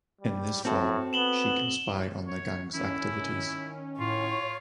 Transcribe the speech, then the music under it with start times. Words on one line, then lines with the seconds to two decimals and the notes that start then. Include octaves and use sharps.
In this form, she can spy on the Gang's activities.
0.21 G3
0.65 A2 C4 F#4 A4
1.13 B3 E7 F#7 G7
2.27 C#5
2.74 D#3 C#4 E4
4.00 A2 F4 C#5